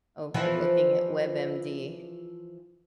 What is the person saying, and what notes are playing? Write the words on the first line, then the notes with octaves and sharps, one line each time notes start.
over looking at WebMD.
E3 F3